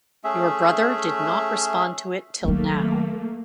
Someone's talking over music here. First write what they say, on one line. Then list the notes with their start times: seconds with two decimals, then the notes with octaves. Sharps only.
Your brother did not respond to it till now.
0.24 A3 C#4 G#4 E5
2.45 D#3 F#3 A3 A#3